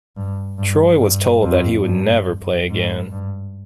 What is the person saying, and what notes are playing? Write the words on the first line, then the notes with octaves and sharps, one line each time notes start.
Troy was told that he would never play again.
G2
G2
G2
F2
G2
G#2
G2